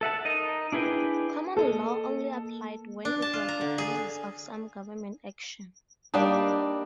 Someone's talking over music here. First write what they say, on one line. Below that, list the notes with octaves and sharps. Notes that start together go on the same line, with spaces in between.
Common law only applied when it was the basis of some government action.
A4 E5 F#5 A5
D#4 A#4 D#5
D4 E4 G#4 B4 G5
A#3 A4 D#5
D4
A5
F4
A#5
D3
G#4
G3 A#3 D4 D#4